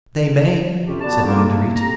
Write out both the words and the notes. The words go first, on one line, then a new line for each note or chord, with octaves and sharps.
"They may," said Marguerite.
F2 C3 C#4 F4 G4
B3 F#4 D5 A5
A#3 C4 D4 D#4 G#4 A4
C3 A#3
F2 A#5